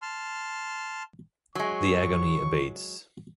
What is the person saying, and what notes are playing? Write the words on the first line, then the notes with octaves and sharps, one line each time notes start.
The agony abates.
A5 C6 F6
F#3 G#3 C#6